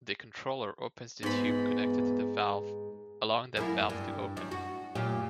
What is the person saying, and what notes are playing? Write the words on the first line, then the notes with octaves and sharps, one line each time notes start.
The controller opens the tube connected to the valve, allowing that valve to open.
G#2 B3 B5
F#2 A#3 E4
G2
F#2
F#4
F#2 A#2 G4